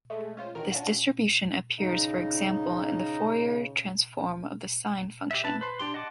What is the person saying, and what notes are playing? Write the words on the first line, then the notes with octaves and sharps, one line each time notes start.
This distribution appears, for example, in the Fourier Transform of the Sign function.
G#3 A3
C#4 F4 C5
A1 D#3 A#4 F6
C#4 D4 F4 F#4
C#3 D#4
G4 E5
B4 A5
B4 C5
D4 G4 C6
D#5 F#5 A5 D6